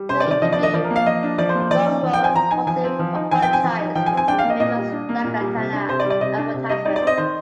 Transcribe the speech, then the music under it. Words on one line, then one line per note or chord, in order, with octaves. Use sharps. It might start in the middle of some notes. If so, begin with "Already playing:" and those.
In the interview, Romero publicly apologized for the infamous "Daikatana" advertisement.
Already playing: G3
C3 C5
D5
D#3
D5
F3 D#5
D5
D4
D#5
F3 D5
A#4
A#3
F5
F3 D#5
D4
F3 D5
C5
A#3
C5
F3 D5
D#4
F3
G5
C4 G#5
F3 A#5
D#4 G#5
F3 G#5
C4
F3
D#4
F3 G#5
G5
C4
G#5
F3
D#4
F3 G5
G#5
C4
G#5
D4 G5
F5
A#3
D#5
A#2 D#5
G3
D4
A#3
A#2
G3
C3
D4
C3 C5
D5
G3
D5
C3 D#5
D4
C3
G3 D#5
D#4 D5
D5
C4
D#5
D#3 C5